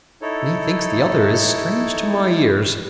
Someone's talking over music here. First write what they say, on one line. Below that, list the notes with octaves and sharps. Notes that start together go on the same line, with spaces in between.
Methinks the other is strange to my ears.
D#4 E4 A4 C#5